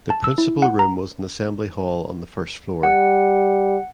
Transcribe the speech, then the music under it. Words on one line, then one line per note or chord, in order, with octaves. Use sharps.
The principal room was an assembly hall on the first floor.
A5
E6
E4
F#5
A#5
G3 F#5